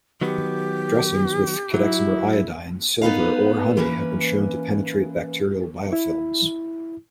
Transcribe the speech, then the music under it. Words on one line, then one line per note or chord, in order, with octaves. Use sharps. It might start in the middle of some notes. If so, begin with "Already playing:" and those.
Dressings with cadexomer iodine, silver, or honey have been shown to penetrate bacterial biofilms.
D#3 F#3 B3 G4
F#3 E4
B3 D#4 B4 F5
E3 A#3 C#4 B4
E4